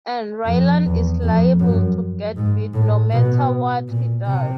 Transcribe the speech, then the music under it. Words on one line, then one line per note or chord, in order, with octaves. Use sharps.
And Raylan is liable to get bit no matter what he does.
F2
E2
F2
F#2
G#2
A2
B2
A#2
C3